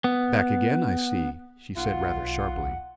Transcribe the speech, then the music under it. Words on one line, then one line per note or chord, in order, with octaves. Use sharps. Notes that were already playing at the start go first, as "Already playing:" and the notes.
"Back again, I see," she said rather sharply.
B3
B1 F4 F#5